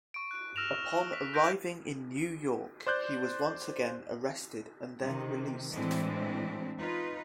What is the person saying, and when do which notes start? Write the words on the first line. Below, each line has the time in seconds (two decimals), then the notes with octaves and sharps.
Upon arriving in New York, he was once again arrested and then released.
0.14 C#6 D7
0.31 F#6 D7
0.56 E6 F6 A#6 D7 E7 F7
1.13 B6
1.33 C#6 F#6 G6 A#6 B6 D7
2.87 C5 D5 F#6 G6
5.02 C3 D#3
5.72 A2 E3 G#3 C4 D4 E4
6.78 D#4 F4 B4